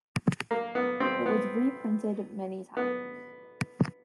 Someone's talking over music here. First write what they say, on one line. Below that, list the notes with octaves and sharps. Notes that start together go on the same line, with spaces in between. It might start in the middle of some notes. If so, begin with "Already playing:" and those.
It was reprinted many times.
A#3
B3
C4
B3
B3